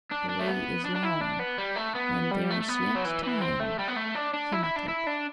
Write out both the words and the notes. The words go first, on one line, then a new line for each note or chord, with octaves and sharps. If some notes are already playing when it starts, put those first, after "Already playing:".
"The way is long and there's yet time," he muttered.
D4
D4
A3
B3
D4
D4
E4
D4
B3
G3
A3
B3
G3
A3
A3
B3
F#3
E3
E3
C4
A3
G3
B3
A3
D4
D4
E4
E4
D4
E4
D4